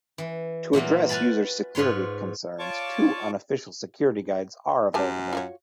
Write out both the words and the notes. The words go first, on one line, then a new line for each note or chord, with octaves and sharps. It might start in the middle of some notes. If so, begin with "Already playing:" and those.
To address user security concerns, two unofficial security guides are available.
E3
A#2 E3 F#3 A#3
B4 F5 G#5 A5 B5
G#2 F4 B4 C#5 C6
F4 C#5 D5 A5 C#6 D6
F#2 G4 G#5 A5
F4 F#4 C#5